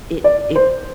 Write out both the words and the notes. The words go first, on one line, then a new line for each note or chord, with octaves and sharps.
it it
D5
C5